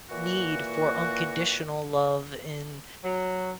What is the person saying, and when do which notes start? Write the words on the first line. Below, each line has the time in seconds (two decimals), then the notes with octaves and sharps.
need for unconditional love in
0.10 A#2 E3 A#3 F#4
3.05 F#3